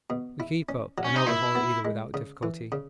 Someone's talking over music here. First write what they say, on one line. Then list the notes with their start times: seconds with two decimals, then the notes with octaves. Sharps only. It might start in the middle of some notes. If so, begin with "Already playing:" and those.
We keep up and overhaul either without difficulty.
0.10 B2
0.40 E4
0.69 C#4
0.98 F#3
1.05 C#4
1.16 D#4
1.26 A#2 E4
1.55 B3
1.85 G#3
2.14 C#3
2.43 E3
2.72 C#3